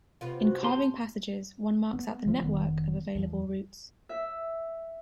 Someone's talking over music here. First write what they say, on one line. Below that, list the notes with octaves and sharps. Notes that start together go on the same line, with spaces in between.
In "carving passages", one marks out the network of available routes.
C3 B3 F4
F#4
G4 C5 A5 C6
B3
C#3 F3 A3
F1 D#3 G3 B3
E2 F3
E5